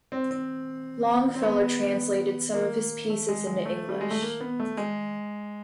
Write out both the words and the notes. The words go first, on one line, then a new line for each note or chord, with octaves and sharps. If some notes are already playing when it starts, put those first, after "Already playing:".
Longfellow translated some of his pieces into English.
C4
C4
C4
B3
A#3
A3
G#3
G#3
A3
G3
G#3
A3
A#3
B3
A3
G#3